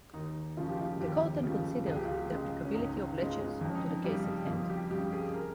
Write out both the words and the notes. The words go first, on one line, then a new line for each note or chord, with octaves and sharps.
The Court then considered the applicability of laches to the case at hand.
D#2 D#4
C#3 F3 F4
G4
F4
D#2 G4
C#3 F3 G4
C#2 G#4
G4
F4
G4
C#3 G#3
C#4
C#2 D#4
C#3 F4
G#3
F2 D#4
C#4
D#4
C#3 G3 G4
F2 F4
G4
C#3 G3 G4
G#4
A#4